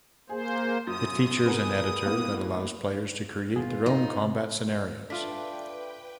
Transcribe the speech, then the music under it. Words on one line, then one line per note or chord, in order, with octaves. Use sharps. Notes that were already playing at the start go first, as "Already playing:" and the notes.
It features an editor that allows players to create their own combat scenarios.
A#3 G#4 C5
F#2 D#6
B3 G#4 A#4
A2 A#3 B3
D#2 B2 F4 G#4
D#4
D4 F4 A4 B4 D5 E5 G5 B6